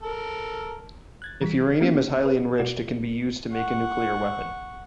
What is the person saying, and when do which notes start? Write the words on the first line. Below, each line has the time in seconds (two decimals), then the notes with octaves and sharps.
If uranium is highly enriched, it can be used to make a nuclear weapon.
0.02 A4 A#4
1.22 F#6 G#6 A6
1.41 E3 G3 B6
1.80 A#3 B3 C#4 F#4 G4 A#4
2.23 G#4 B4
2.58 B2 F#4 D5 E7
3.52 F#5 C#6